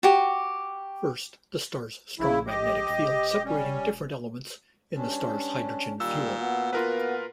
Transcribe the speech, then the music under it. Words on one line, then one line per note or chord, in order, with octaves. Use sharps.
First, the star's strong magnetic field separating different elements in the star's hydrogen 'fuel'.
F#4 G4
A#1 C#3 E4
G4 D#5
E1
G3 C#4
G2 C#4 D4
A#2 D#3 G3 E6
B3 F#4
A#2 F4 A#4 B4